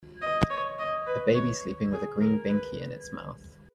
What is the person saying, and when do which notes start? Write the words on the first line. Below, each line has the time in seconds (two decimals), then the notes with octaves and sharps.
A baby sleeping with a green Binky in its mouth.
0.22 D#5
0.50 C#5
0.79 D#5
1.07 B4
1.35 C#5
1.92 G#4
2.21 A#4
2.49 B4